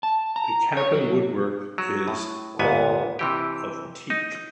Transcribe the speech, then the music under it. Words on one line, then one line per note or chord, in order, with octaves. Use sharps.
The cabin woodwork is all of teak.
A5
A#5
C#5
F#3
F#3
A2
G1 D2 G#2 B3 G#5
C3 E3 G4
D#4